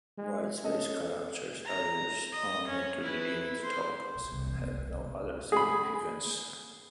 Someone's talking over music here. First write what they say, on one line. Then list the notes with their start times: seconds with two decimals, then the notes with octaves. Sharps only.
Whitespace characters are used only to delimit tokens, and have no other significance.
0.17 G#3
0.64 C#4 A4 D#5
1.64 A#5
2.32 D#5
2.67 C#4
3.03 E4 B4
3.61 C5
4.15 B1
4.32 C2
4.47 E3
4.59 B3
4.72 C2
4.87 C2
5.52 G#4 B5